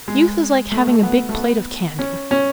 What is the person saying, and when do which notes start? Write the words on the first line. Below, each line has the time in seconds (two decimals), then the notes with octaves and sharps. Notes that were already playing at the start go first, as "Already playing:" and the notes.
Youth is like having a big plate of candy.
0.08 G#3
0.72 A3
0.87 A3
1.03 B3
1.29 A3
1.35 B3
1.99 C#4
2.31 C#4